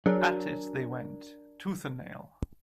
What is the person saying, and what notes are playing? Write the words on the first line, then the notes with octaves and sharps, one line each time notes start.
At it they went, tooth and nail.
F#3 D4 G#4 A#4